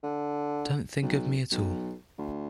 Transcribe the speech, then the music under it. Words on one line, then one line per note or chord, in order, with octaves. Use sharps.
Don't think of me at all.
D3
B1
B1
D2